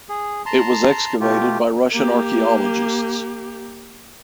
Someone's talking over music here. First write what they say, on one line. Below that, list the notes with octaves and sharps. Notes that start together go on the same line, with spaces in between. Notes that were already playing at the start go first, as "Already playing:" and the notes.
It was excavated by Russian archaeologists.
G#4
A5 A#5 C6
B2 A3 F4 G4
A#3 G4